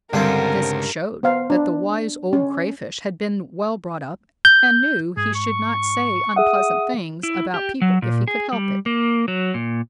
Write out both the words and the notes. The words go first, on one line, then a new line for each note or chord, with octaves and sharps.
This showed that the Wise Old Crayfish had been well brought up, and knew he should not say unpleasant things about people if he could help it.
C#2 G2 D3 C4 A#4
B3 C5 F5
D4
C#4
G6
G#2 G#4
C#6
G#4 E5 F#5 D#6
E4
G4
F#3
A#2
G#4
G3
A#3
F#3
A#2